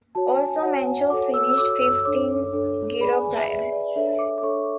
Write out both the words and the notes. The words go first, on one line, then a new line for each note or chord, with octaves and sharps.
Also Menchov finished fifth in Giro prior.
F#4 C#5 A5
G#5
F#4 C#5 F#5
F#5
G#5
F#4 A4 C#5 D6
E6
E6
F#4 A4 C#5 D6
E6
D4 A4 C#5 D6
D4 A4 C#5
G#4 B4 D5 B5
G#5
G#5
E5
G#4 B4 D5
D5
D4 A4 C#5 E5
D6
D6
D4 A4 C#5 C#6